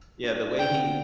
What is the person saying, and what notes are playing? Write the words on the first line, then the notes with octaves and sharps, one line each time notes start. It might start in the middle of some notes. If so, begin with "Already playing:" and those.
yeah, the way he
D4
D4
G5
D3